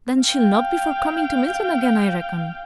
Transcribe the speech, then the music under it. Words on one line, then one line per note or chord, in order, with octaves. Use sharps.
'Then she'll not be for coming to Milton again, I reckon.'
F5 G5